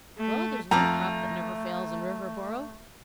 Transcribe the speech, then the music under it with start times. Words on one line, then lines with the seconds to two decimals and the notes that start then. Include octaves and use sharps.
"Well, there's one crop that never fails in Riverboro!"
0.17 A3
0.71 F2 A3 D5 F5 A5 A#5